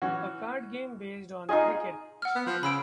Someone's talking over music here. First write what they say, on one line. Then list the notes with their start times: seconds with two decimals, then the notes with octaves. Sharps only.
A card game based on cricket.
0.02 E3 C#4 F#4
1.49 D#4 F4 G#4 D#5 G#5
2.22 F#5 E6 F6
2.36 B3
2.47 F3
2.63 C#3 B5 E6 D7